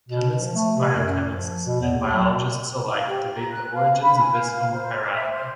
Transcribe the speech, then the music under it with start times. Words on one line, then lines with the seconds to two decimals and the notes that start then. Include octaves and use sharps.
Chemists, biochemists, and biologists alike debate the origins of this homochirality.
0.09 B2
0.40 F3
0.55 A3
0.77 C3
0.95 F#2
1.31 F3
1.64 B2
1.80 E2
1.97 D#2
2.13 F#3
2.29 B2
2.95 F5
3.08 G4
3.33 A#5
3.51 F#6
3.73 F5
4.02 B5
4.18 G#5
4.32 F5
4.72 C5
5.02 D6
5.13 E5
5.31 C5